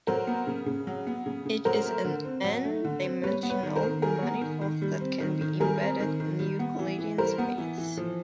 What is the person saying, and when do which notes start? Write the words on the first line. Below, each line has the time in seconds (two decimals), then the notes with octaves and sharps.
It is an "n"-dimensional manifold that can be embedded in Euclidean -space.
0.07 F#3 A#4 C5
0.27 B3
0.47 C#3
0.66 C#3
0.87 F#3
1.07 B3
1.26 C#3
1.46 C#3
1.65 F#3 A#4 C5
1.86 A3
2.05 D3
2.24 C4
2.44 F#3
2.64 A3
2.85 D3
3.03 C4
3.23 G3 B4 C#5
3.43 B3
3.49 B4 C#5
3.63 D#3
3.76 A#4 C5
3.83 D#3
4.02 G3 G#4 A#4
4.23 B3
4.41 D#3
4.61 D#3
4.82 G3
5.01 C4
5.20 D#3
5.41 D#3
5.60 G3 G#4 A#4
5.80 C4
6.00 D#3
6.20 D#3
6.39 G3
6.59 B3
6.79 E3
6.99 E3
7.18 G3 A#4 C5
7.38 B3
7.58 E3
7.78 E3
7.97 F3